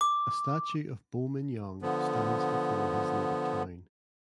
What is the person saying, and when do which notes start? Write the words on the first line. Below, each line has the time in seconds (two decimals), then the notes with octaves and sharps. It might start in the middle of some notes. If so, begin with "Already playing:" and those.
A statue of Bo Min Yaung stands before his native town.
0.01 D6
1.82 D3 F3 B3